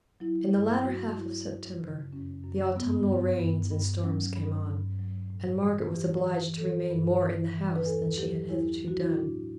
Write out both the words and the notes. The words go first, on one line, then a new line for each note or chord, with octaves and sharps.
In the latter half of September, the autumnal rains and storms came on, and Margaret was obliged to remain more in the house than she had hitherto done.
F#3 E4
G2
F#3 F#4
F#3 E4
F#2
C#3
F#2 C#4
F#2
G2 B3
G2
G2
G2
F#3 C#4
G2
G2
F#3
A2
E3
E3 G4
E3
E3 A4
G2
E3
E3
B4
E2 A4
F#3 G4
E2 E4
F#3
F#4
E4
A2 D4